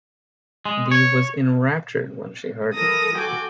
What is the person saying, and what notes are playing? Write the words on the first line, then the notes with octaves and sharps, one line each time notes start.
Dee was enraptured when she heard it.
G#3
C#5
E3 G3 A4 A#4 D#6 A#6
F#4 A4 G5 G#5 D6